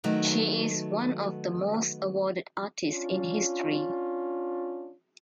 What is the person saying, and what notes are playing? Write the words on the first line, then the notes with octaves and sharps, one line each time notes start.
She is one of the most awarded artist in history.
D#3 F#3 A3 B3
C#4 D4 F4